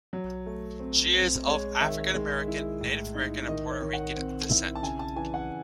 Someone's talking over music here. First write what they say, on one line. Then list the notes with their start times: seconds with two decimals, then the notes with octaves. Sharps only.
She is of African American, Native American and Puerto Rican descent.
0.13 F#3
0.46 A3
0.80 C4
1.14 C4
1.47 G#3 C#5
1.80 D#3 E5
2.14 G#3
2.48 E4
2.81 A2
3.15 D#4
3.48 D#3 D#5
3.71 C#5
3.82 D#3
3.93 F#5
4.16 C4
4.49 E4
4.75 A5
4.83 C#3 G#5
4.99 A5
5.16 E3 G#5
5.34 F#5